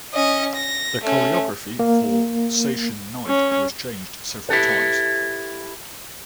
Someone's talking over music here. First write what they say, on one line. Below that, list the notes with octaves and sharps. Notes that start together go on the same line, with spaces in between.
The choreography for "Seishun Night" was changed several times.
C#4 D#5
A#6
A3 C#4
A#3
C#4
E4 G4 A4 B4